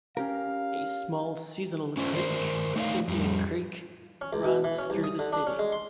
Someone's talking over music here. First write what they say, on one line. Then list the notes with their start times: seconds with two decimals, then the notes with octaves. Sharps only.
A small seasonal creek, Indian Creek, runs through the city.
0.17 C#4 G4 A#4 F5
1.97 C#4 F4 C5 D5
2.13 D#3 A#4 C5 D5
2.76 A3 D#4 C#5 D5 F5
3.08 F2 G3
4.21 C#4
4.33 C#2
4.44 B2
4.64 E3
4.79 C#4
4.90 C2
5.04 D#6
5.19 D3
5.33 D4
5.47 C#4
5.59 G#3
5.72 C6